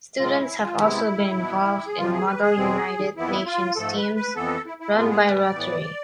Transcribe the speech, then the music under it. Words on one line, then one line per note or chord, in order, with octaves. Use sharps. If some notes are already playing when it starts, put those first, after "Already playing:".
Students have also been involved in Model United Nations Teams run by Rotary.
C3 G#3 C4 F4
E4
F4
C3 G#3 B3 E4
B2 B3
G#4
F2 C3 F3 F4
G#4
B4
G#4
E2 B2 G#3 C4
F2 E3 B3 E4
F4
G#2 F3 A3 A4
B4
B4
F2 E3 B3 A4
E4
E4
A2 G#3 B3 F4
G#4
B4
D5
A2 E3 B3